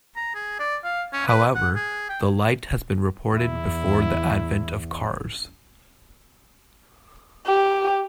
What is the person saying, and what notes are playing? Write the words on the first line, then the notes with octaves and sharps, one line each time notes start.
However, the light has been reported before the advent of cars.
A#5
G#4
D5
F5
C#4
B4
F#5
G#4
G5
E2 E4
G4